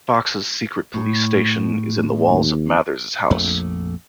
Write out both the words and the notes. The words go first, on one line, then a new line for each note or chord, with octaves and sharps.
Fox's secret police station is in the walls of Mathers's house.
A2
D#2
A#1 F2 A3